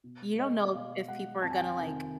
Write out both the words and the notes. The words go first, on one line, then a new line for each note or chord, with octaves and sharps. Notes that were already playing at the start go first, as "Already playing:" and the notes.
You don't know if people are gonna, like,
B2
G#3 D#5
B2 F5
G#3 F#5
F2 A5
G#5
G5
G#5
C3 D#3